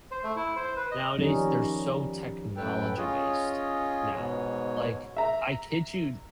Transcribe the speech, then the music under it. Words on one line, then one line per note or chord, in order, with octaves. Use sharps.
nowadays, they're so technology-based, now, like, I kid you
C5
A3
E4
C5
B4
D#5
D#3 F3 G3 C#4 D#4
F#2 A2 A4 B4 G5
C#4 F4 G#4 C#5 D#5
G#2 B2 C#5
E5 A#5